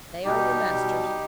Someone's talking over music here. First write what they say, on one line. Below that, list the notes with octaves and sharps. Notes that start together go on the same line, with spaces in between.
They are your masters.
B2 G3 D#4 G4
B2 G3